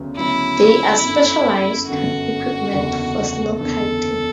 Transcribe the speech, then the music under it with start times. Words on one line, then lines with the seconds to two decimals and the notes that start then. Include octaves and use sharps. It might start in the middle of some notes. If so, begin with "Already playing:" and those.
There are specialized equipment for snowkiting.
Already playing: D2 C#3 F#3 B3
0.17 D2 C#3 F#3 B3 E4
1.02 G1 F#2 D3
1.87 G1 F#2 D3 F#4
2.73 F#1 E2 D3
3.60 F#1 E2 D3 A4